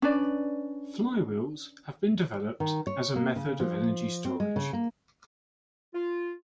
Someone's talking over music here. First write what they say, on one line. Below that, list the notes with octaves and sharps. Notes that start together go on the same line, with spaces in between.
Flywheels have been developed as a method of energy storage.
C#4 D4 B4 D5
D#3
C#5
A#3
C#3
F3
C4
G#3
C#3
A#3
F4